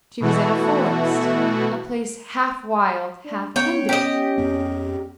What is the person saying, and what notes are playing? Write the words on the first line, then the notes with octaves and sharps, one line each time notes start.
She was in a forest, a place half wild, half tended.
B2 E3 A3 F#4
D4
B3 C#4 C#5 G5
G4 D#5
F2 B3